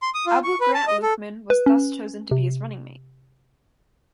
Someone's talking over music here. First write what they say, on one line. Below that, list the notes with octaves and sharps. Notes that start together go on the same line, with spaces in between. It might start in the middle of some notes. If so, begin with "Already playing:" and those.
Abu Grant Lukeman was thus chosen to be his running mate.
C6
D#6
F4
C#6
B4
A5
D#5
A4
B4
C#4
C3